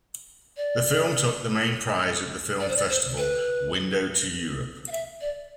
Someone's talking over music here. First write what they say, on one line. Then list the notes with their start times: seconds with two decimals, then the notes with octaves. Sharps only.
The film took the main prize at the film festival "Window to Europe".
0.57 D5
2.60 D5
2.69 C5
2.77 D5
2.90 C5
3.18 B4
4.88 F5
4.92 E5
5.21 D5